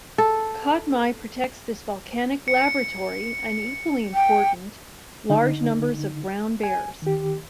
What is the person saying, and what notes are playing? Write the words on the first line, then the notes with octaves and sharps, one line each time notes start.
Katmai protects this volcanic "laboratory" and, equally important, large numbers of brown bears.
A4
C#7
G5
D3 D#4
G#5
D#3 G4